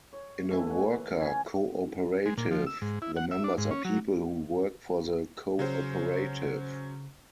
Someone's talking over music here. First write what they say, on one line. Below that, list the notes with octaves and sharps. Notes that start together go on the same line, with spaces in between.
In a worker cooperative, the members are people who work for the cooperative.
C#5
E3 A3 A4
F#5 G#5
C#4 G#5
G#3
A#2
F3
E6
G#2
E4
F#5
E5
D4
G#2
C#4
F#3
C#3 F#3 C#4 C5